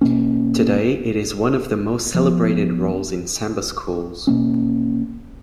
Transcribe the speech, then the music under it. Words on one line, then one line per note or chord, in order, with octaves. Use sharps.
Today it is one of the most celebrated roles in samba schools.
B2 A#3 C#4
F3 B3
B2 A#3 C#4